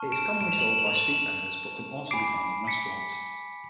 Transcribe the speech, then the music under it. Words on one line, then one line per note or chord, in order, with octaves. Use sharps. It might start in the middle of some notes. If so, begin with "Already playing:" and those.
It is commonly sold by street vendors but can also be found in restaurants.
Already playing: A5 C#6 F6
D7 E7
D7 E7
F7
E7 F#7
F#7
F7
E7 F#7
G#5 B5 D6 C7 D7
B6 C#7